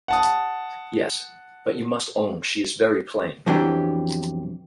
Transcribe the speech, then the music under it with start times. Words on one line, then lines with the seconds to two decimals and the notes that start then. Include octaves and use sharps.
Yes; but you must own she is very plain.
0.08 F#5 A5 D#6
3.46 B1 F2 E3 F#3 D4 G4